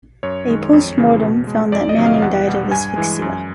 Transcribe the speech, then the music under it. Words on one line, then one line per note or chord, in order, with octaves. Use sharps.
A postmortem found that Manning died of asphyxia.
F#2 C#5
D#3 G#3
F2
C#3 E3 G#3
B2
G#3
F2 D5
D#5
C3 D#3 F#3
F5
E2 F#5
B2 G3
G2 G#5
E3 G#3
F#2